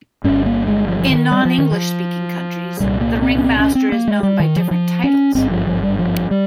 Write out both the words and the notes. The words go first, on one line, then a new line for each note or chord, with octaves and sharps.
In non-English speaking countries the ring master is known by different titles.
G1 G2 C#4
A#3
G#3
F3
F3
D#3
G3
F3
D#3
F3
C2 A#2 G3
A#3
C4
C#4
C4
C#4
C4
A#3
G#3
G3
D#3
F3
F3
C#4
G#1 G2 C4
F3
F3
G3
F3
G3